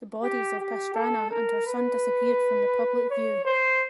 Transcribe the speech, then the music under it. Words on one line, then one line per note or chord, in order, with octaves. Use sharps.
The bodies of Pastrana and her son disappeared from the public view.
G4
G4
A4
A#4
B4
C#5
C5